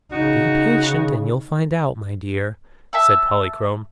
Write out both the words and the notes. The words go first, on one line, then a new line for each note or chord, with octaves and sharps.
"Be patient and you'll find out, my dear," said Polychrome.
C#3 D#4 F#4
E5 A5 E6